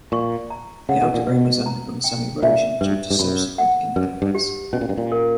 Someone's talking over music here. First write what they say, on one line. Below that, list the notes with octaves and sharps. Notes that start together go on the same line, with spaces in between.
The outer rim has undergone some erosion due to subsequent impacts.
A#2 C#6
A#5
C#3 F#5
B2
A#2
B2 B4
A#5
G5
A#2 E5
G2 B4
G2
F#2 B5
F#5
F#2 B4
G2
G4
B2 C#4
A#2
G2
A#2
A#4